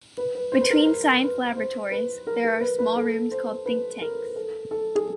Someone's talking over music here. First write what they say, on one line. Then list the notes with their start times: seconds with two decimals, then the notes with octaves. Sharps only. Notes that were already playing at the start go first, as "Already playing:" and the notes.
Between science laboratories, there are small rooms called think-tanks.
0.17 B4
0.35 B4
0.52 C5
0.61 B4
0.70 A#4
0.87 A#4
1.22 B4
1.57 C5
1.91 B4
2.27 A#4
2.44 A#4
2.61 B4
2.79 B4
2.96 A4
3.31 C5
3.66 B4
4.01 A#4
4.36 A4
4.71 A4
4.95 G#4